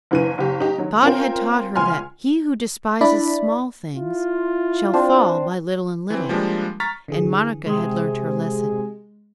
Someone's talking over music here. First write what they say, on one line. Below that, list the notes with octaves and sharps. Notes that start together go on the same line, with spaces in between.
God had taught her that "he who despises small things shall fall by little and little," and Monica had learnt her lesson.
F#1 E3 D#7
F#1 G4
D#4 G4
D#3 F#3
C4 C#4 F4 A#4 G5
C#2 G#5 C6 F6
D4 E4 D5 B5
E4 F4
C4 D4 C5
E3 C4
F3 G3 G#3 A#3 D4
A#5 C#6 F6 A6 B6
D3 E3 G#4
C3 G#3 G#4